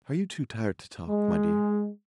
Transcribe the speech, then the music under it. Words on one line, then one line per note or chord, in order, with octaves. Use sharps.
"Are you too tired to talk, my dear?"
G#3